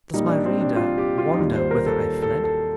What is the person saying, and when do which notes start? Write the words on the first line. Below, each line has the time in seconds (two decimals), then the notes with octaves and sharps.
Does my reader wonder whither I fled?
0.13 A#2 G3 A#3 D#4
0.29 D4
0.46 C4
0.60 D4
0.76 F4
0.98 G4
1.18 F4
1.33 D#4
1.39 D#2 D#3 G3 F4
1.55 C5
1.71 A#4
1.86 A4
2.22 A4
2.44 A4